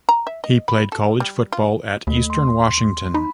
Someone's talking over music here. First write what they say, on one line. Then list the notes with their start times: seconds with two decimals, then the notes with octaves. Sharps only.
He played college football at Eastern Washington.
0.09 A#5
0.27 E5
0.44 D#5
0.68 B5
0.92 A4
1.20 G3
1.53 F4
2.07 D#2 A3
2.30 C6
3.14 D#4 B5